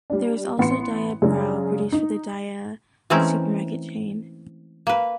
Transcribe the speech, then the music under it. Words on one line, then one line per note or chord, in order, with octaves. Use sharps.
There is also Diabrau, produced for the Dia supermarket chain.
G3 D4
A1 B3 C6 C#7
F#2 C#3 G#3 D4
D#4
E3 G#3 A3 C4 C#4 A#4
A#3 B4